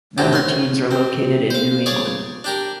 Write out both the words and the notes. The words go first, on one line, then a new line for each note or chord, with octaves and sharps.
Member teams are located in New England.
A2 C3 F#3 G4
C#4 C6
C4
C5 F5
G#4 C#5 D5 F5
D4 G4 A#4